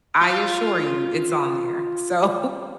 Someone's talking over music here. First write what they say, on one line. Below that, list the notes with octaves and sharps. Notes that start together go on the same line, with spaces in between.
I assure you it's on there. So,
F4 F5